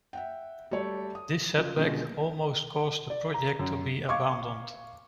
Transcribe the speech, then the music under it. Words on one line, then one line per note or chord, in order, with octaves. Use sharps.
This setback almost caused the project to be abandoned.
E5 F#5 G5
G3 A3 A4 C#5 D5
D#6
C#3 F3
B2 D3 F3 G#3 C#4
D5
A#5
F#2
F5 C#6 D6 G#6